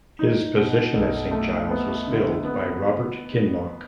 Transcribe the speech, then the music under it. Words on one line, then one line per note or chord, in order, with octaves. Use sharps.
His position at St Giles was filled by Robert Kinloch.
D#4
B2
B1
A3
B3
D3
B3